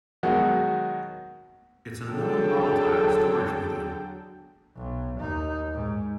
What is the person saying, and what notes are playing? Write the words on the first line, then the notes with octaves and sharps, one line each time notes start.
It's a non-volatile storage medium.
B2 D#3 F#3 G#3 F#4
D3 F#3 G#4 A4 G5
B1
D#2 D#4
G#2